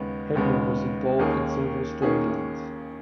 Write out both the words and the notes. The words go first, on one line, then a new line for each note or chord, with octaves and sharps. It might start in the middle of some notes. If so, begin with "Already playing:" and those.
Hebner was involved in several storylines.
Already playing: D#2 C#3 G#3 B3
D#2 C#3 G#3 B3
D#2 D#3 A#3 C#4 G#4
D#3 A#3 C#4 G#4